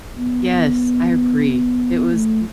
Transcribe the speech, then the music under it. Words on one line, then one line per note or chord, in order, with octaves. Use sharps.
Yes, I agree. It was m
B3
A3